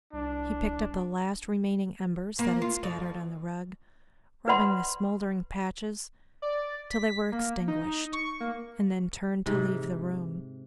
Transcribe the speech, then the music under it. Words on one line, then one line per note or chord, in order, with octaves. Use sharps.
He picked up the last remaining embers that had scattered on the rug, rubbing the smouldering patches till they were extinguished, and then turned to leave the room.
C2 D4
A#3
F4
F2
B4 D5 F#5 B5 C6
D5
B6
A#3
D#4
C#6
A#3
G#2 C3